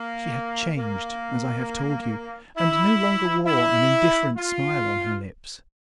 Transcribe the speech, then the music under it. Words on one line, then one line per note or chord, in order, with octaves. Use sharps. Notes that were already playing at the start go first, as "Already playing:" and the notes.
She had changed, as I have told you, and no longer wore an indifferent smile on her lips.
Already playing: A#3
A#3
E4
E4
F4